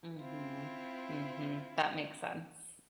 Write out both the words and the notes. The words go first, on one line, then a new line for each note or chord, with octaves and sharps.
Mhm. Mhm. That makes sense.
C4 E4 F4